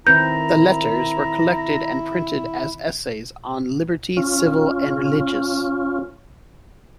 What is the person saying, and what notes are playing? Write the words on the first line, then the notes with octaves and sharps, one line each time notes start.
The "Letters" were collected and printed as "Essays on Liberty, Civil and Religious".
D#3 C4 E4 B4 A#5 G6
C#4 F4